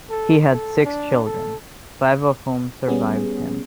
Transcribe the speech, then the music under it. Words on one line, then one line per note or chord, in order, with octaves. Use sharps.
He had six children, five of whom survived him.
A4
A4
D4
A4
G3 B3 C#4 G#4